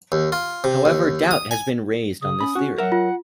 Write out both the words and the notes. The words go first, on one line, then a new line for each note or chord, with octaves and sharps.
However doubt has been raised on this theory.
D#2
F4
C3
D#2
D#6
G#5
C#3 D#6
C#4 B5
C#4 F#4
F#3 A#4 E5 F#5
F4